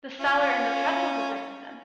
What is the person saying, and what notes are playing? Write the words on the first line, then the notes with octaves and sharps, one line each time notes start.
The cellar and the trestles affected them.
C#4 F4